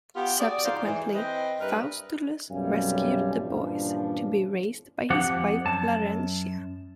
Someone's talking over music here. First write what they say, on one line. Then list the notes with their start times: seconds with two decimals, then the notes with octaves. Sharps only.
Subsequently Faustulus rescued the boys, to be raised by his wife Larentia.
0.15 B3 F4 G4
0.39 F#4 G#4 D5
0.63 G#2 F3 C5 D5 F5
0.85 E3 G#4
1.14 C4 B4 C5 D#5
1.60 G2 A#4 B4 D5 E5
2.51 B1 F#2 C3 G3 F5 G#5
3.34 G2 A#2 E3 F3 C#4 D4
5.10 F2 F3 G4 F#5
5.65 F#2 A5